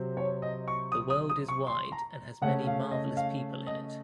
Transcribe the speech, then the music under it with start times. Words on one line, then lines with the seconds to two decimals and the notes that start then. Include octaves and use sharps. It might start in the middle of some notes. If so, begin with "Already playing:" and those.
The world is wide, and has many marvellous people in it.
Already playing: C3 F#3 C4
0.17 C#5
0.42 D#5
0.68 C#6
0.92 D#6
1.10 D#6
1.30 D#6
1.48 C#6
1.67 C6
1.92 A#5
2.42 C#3 A3 C#4 F#5
2.67 F5
2.91 D#5
3.17 F5
3.67 D#5